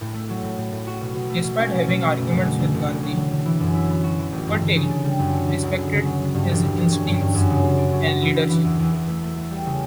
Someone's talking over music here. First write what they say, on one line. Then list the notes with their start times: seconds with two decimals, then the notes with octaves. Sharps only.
Despite having arguments with Gandhi, Patel respected his instincts and leadership.
0.01 A2
0.14 A3
0.30 F#3
0.43 A2
0.57 A2
0.72 A2
0.87 F#4
1.01 B2
1.16 B2
1.30 A3
1.44 B2
1.59 C#4
1.74 B2
1.88 B2
2.02 A3
2.17 F#1
2.31 F#1
2.45 D3
2.60 D3
2.74 E1
2.88 E1
3.03 F#3
3.18 D3
3.32 D3
3.46 E3
3.60 F#2
3.75 E4
3.89 B3
4.04 F#4
4.19 E3
4.33 A1
4.47 G2
4.62 D3
4.76 C#3
4.91 D4
5.04 G3
5.19 F#2
5.34 D3
5.47 D3
5.63 C#2
5.76 C#2
5.92 C#3
6.05 F#3
6.20 F#3
6.35 G2
6.49 E1
6.63 D3
6.78 E1
6.92 C#4
7.07 G2
7.21 G2
7.35 F#2
7.50 C#3
7.64 C#3
7.78 D4
7.93 F#3
8.07 D4
8.22 E3
8.36 E3
8.51 E3
8.64 E2
8.79 E2
8.93 E2
9.08 A3
9.23 A3
9.37 A3
9.51 G3
9.66 C#3